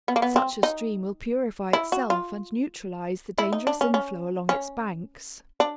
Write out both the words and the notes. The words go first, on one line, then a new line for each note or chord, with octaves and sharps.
Such a stream will purify itself and neutralize the dangerous inflow along its banks.
B3
A#3
B3
C4
D#4
E4
F#4
F4
E4
D#4
D4
C#4
C#4
C#4
D4